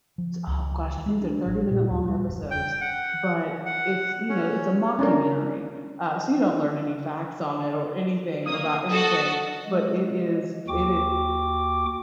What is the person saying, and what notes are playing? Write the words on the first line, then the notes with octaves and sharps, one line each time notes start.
oh gosh, I think they're thirty-minute-long episodes, but it's, you know, it's a mockumentary, uh, so you don't learn any facts on it or anything about anything, But it is it i
F3
C#2
G#3
D4
A1
A#2
D#2
G3
F1
G5
F#5
F#5
C#4
C#4 D4 A#4
A#3 D#6
F#4 A4
G#3
D#2 F#4 G5 D6